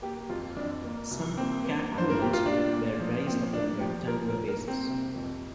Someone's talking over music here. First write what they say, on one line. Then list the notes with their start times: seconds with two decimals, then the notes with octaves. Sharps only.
Some chacmools were raised upon rectangular bases.
0.02 A#3 G4
0.30 F2 F4
0.56 F2 D4
0.84 A#3
1.11 C2
1.38 A#3 C4
1.64 A#3
1.92 G2
1.98 C5
2.10 A#4
2.18 A#3 G4
2.33 F4
2.45 A#2 D4
2.73 A#2
3.00 F3
3.27 A#2 C4
3.53 A#3 D4
3.80 F3 G4
4.08 A#2 A#4
4.28 A#4
4.35 A#2
4.48 A#4
4.62 A#3
4.68 C4
4.89 C3
5.16 F2